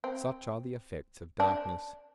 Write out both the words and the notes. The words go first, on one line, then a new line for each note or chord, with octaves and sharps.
Such are the effects of darkness.
C4
D4